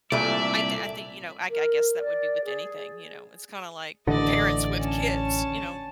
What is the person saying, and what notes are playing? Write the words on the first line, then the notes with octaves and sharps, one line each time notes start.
I think I think, you know, I I guess that would be with anything, you know? It's kinda like parents with kids, you know?
C2 A#2 A3 D5 E5
A#4
D5
G#4
A1 D3 D5 D#5
C#4 A5